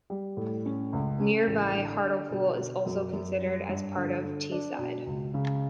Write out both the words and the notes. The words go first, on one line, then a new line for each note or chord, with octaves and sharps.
Nearby Hartlepool is also sometimes considered as part of Teesside.
G3
A2
C#4
C#2
C#4
A1
D3
D3
B2
B2
F#2
F#2
G3
G2
D3
D3
D4
B2
C#2
C#3